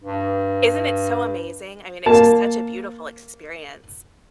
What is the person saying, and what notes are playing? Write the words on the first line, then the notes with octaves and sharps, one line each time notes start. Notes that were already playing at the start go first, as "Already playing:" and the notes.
Isn't it so amazing? I mean, it's just such a beautiful experience.
G2
A#3 A5